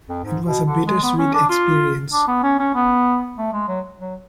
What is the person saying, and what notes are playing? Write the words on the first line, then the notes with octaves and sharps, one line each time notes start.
It was a bittersweet experience.
F2
G#2
B2
D3
G#3
B3
C#4
D4
F4
D4
B3
C#4
C#4
B3
A3
G#3
F#3
F#3